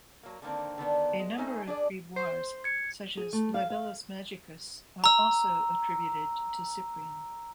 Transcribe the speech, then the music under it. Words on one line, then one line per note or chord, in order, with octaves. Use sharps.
A number of grimoires, such as "Libellus Magicus" are also attributed to Cyprian.
F#3 A#3
D3 D#3 A#3 C4
D3 D#3 B3 D4
G#3
A3 C#4 D#4 C5 D#5 G#5
D4 G#4 D5
C5
G#6 C#7
G#4
A3
F5
F5
A#5 E6